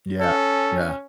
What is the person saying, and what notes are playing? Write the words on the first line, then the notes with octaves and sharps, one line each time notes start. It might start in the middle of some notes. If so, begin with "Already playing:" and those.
Yeah, yeah.
C#4 A4